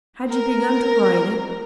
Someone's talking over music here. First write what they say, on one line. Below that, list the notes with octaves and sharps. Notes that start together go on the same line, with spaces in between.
Had you begun to write it?
A#4